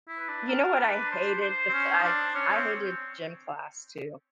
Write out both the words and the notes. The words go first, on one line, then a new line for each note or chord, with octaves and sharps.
You know what I hated besides I hated gym class too.
E4
B4
D4
A#4
B4
C5
C5
C4
C#4
D#4
D4
C#4 C#5
C#4
C4